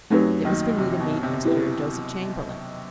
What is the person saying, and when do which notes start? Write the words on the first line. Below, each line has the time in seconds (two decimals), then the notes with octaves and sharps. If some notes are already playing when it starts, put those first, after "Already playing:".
It was for me to meet Mr. Joseph Chamberlain.
0.11 F#2 F#3 A3 C4 D#4 G4 B4
0.45 D#2 D#3
0.78 C3
1.00 B2
1.23 C3
1.45 E4 G4 B4